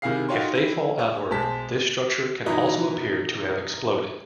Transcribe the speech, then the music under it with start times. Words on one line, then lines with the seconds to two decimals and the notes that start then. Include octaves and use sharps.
If they fall outward, this structure can also appear to have exploded.
0.02 C3 D#3 E4 G#4 F5 C7
0.29 D#4 F4 F#4 C#5 G5 C6
0.55 E4
0.99 C#5
1.30 B1 G#3 C5 A5 B6
2.46 B2 E3 F#3 D#4 E4